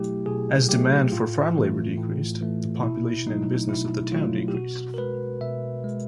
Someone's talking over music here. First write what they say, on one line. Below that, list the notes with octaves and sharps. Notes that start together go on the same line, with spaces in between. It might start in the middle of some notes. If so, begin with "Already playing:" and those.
As demand for farm labor decreased, the population and business of the town decreased.
Already playing: B2 F#3 A3 E4 G4
B2 G#4
F#3 A3 G4
A2 F4
E3 A3
A2
E3 A3
B2 E4
F#3 A3 D#4
B2 E4
F#3 A3 F4
G4
B2 F#4
A#4
G#3 B4
B2 E5
G#3